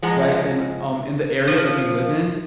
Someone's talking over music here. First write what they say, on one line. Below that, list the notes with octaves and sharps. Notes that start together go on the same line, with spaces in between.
right, and, um, in the area that we live in,
F3 G#3 D#5 F#5 A#5
F3